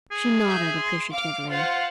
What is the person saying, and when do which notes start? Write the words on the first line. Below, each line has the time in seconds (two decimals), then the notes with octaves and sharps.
She nodded appreciatively.
0.11 G#4
0.46 E5 G6
0.79 C6
1.12 F5 D6 F6
1.51 F4 C5 F5 F#5